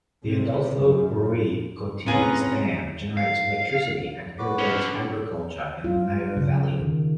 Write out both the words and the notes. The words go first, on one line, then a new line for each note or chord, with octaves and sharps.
The Adolfo Ruiz Cortines Dam generates electricity and irrigates agriculture in the Mayo Valley.
C3
F#2
C3 C#4 F4 G#4 B4 A#5
F5
F#4 B4 D6
D3 C#4
F4
C#3
D#3